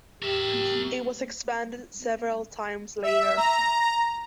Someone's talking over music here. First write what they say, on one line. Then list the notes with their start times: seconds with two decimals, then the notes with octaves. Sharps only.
It was expanded several times later.
0.23 G4 A#4 E5
3.03 E5
3.37 A#5